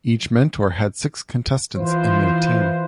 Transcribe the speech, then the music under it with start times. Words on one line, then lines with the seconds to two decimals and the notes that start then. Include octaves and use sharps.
Each mentor had six contestants in their team.
1.77 E3 E4 F4 B4 C5